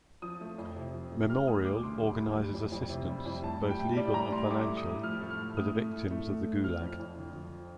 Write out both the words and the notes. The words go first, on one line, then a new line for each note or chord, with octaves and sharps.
Memorial organizes assistance, both legal and financial, for the victims of the Gulag.
F3 D#6
A3
F2
C3
F3
A3
G3 F6
D2 D#6
D2 D6
D3 C6
G3
D2
G3
F2
F2
C3
G3
F2
A2 A5
G3
G5
A2
G3 D5
A2 A#5
G3 C6
A3 D6
A2
D#6
A2
F3 F6
A3
F6
A2
A2 D#6
A3
A2
A3
A2
A3
F3 F6
F2
F2
D3
F3